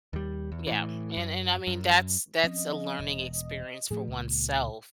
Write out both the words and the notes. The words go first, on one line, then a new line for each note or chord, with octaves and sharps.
Yeah, and and I mean, that's that's a learning experience for oneself,
D#2 G3
E2
A2 E3
F#2
F#2
F3 C4 C#4 D#5
E1
A2 F3 A3 G#4
C#2 A#2